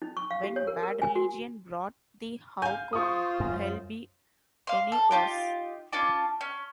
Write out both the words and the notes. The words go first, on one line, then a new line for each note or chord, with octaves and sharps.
When Bad Religion brought the How Could Hell Be Any Worse?
D#4
C#6
F5
G4
C#5
A#4
A#4
G#5
F#4
F5 G#5 G6
F4 C5 C#6 D#6
F#2
F5 C6
A4
D#4 F4 G4
C#4 F4 A5 D6
C#4